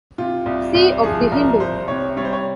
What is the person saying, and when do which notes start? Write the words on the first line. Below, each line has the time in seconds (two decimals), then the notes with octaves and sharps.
C of The Hindu.
0.18 C3 F4
0.46 C2
0.75 C2
1.03 F3 G#4
1.32 C2 A#4
1.60 C2 C5
1.88 C3 C#5
2.17 G3 C#5
2.24 C5
2.33 C#5